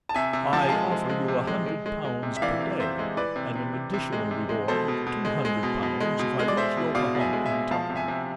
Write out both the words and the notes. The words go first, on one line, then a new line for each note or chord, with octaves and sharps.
"I offer you a hundred pounds per day, and an additional reward of two hundred pounds if I reach Yokohama in time."
A5
C3 E5 G#5
C3
F3 A5
G#5
G#3 F5 A5
G#3
G#3
C3
G#3
G#3
G#3
G#3
C3
E5
E3 D5 F5
C3
C3 C5 E5
G#3
E3 B4 D5
C3
C3
C3
C3
G#3
C3
G#3
B2 A4 C5
B2
B2
G#3
G#3
B2
B2
G#3
B2
G#3
D5
G#3 C5 E5
B2
B2 D5 F5
B2
E5 G#5
G#3
E5 G#5
B2
F3 F5 A5
C3
E5 G#5
C3